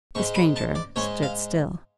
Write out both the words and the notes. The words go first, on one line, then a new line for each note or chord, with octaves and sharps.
The stranger stood still.
G#2 G#3 C#6
B5
A5
D5
G#2 G#3 C#5
F5